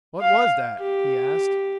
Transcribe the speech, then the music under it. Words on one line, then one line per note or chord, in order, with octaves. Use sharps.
"What was that?" he asked.
F5
G4